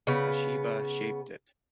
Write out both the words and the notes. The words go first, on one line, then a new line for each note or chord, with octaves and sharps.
Hashiba shaped it.
C#3 B3